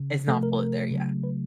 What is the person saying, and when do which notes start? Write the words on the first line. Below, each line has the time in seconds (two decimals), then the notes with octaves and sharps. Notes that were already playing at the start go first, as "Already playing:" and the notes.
It's not fully there yet.
Already playing: C#3
0.27 C3 F3 A3 A4
0.43 A#4
0.59 A#4
0.91 C#3 F#3 A3
1.24 B4